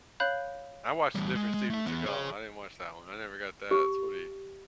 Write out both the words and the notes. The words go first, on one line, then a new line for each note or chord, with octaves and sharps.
I watched a different Steven Seagal, I didn't watch that one. I never got that, it's what he
C#5 F5 B5 F#6 G6
E2 G3
G#3
G#3
A3 E5
E2 B3
G#4 C#5
G4